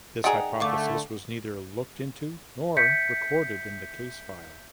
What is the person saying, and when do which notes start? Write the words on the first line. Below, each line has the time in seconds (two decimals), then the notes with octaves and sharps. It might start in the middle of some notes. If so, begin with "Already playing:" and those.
This hypothesis was neither looked into nor recorded in the case file.
0.24 D#3 G#4 D5 F#5 G5 A#5 D7
0.60 D3 A3 F5 C#6 D6
2.77 E5 G6 B6 C#7